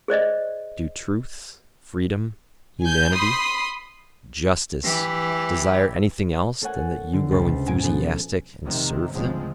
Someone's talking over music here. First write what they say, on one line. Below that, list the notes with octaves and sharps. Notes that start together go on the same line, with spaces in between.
Do truth, freedom, humanity, justice, desire anything else than that you grow enthusiastic and serve them?
G#4 C5 D5 D#5
G#5 G6
B5 C6 D#6
E3 G4
A#3 A4 C#5 F#5 G#5
D3
C#2 C3 A6
G#2 G#5 D7
B2 F3 B3 A4
F1 C3 D#3
D2 G#2 C#3 F3 G#3 C4